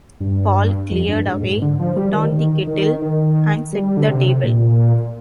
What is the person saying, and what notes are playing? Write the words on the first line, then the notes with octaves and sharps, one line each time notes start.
Paul cleared away, put on the kettle, and set the table.
G2
F2
G2
G#2
G#2
D3
F3
G3
D#3
D#3
D#3
D#3
G3
D3
C3
A#2